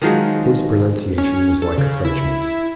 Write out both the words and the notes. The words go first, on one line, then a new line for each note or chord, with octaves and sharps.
His pronunciation was like a Frenchman's.
D#3 F3 F#3 G#3
C#4
A4
C#3
E4